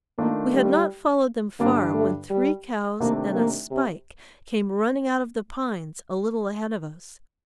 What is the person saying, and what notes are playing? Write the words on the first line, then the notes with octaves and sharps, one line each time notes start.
We had not followed them far when three cows and a "spike" came running out of the pines a little ahead of us.
D#3 A3 A#3 D4 F4
G3
G2 D3 G3 A#3 D4 F4
A3
G3
C3 D#3 A3 A#3 D4 G4
A#3
C3